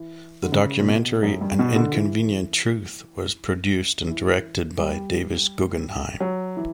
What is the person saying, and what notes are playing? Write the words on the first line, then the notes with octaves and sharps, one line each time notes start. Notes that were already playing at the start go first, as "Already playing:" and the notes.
The documentary, "An Inconvenient Truth", was produced and directed by Davis Guggenheim.
Already playing: E3
D3
C#3
A#2
B2
F#2
G2
B2
D3
E3
E3
G3
F#3
E3